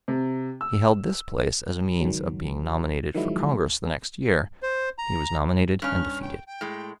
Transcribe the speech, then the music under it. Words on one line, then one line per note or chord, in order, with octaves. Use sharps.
He held this place as a means of being nominated for Congress the next year; he was nominated and defeated.
C3
E6
C#2 D#3 F#3
D#3 F3 F#3 G#3 E4
C5
A#5
G2 C#4 F6
G5
G5
A2 G#3